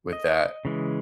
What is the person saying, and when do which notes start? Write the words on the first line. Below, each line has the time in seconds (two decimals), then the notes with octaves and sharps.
with that.
0.13 D#5
0.65 C#3 E3 G#3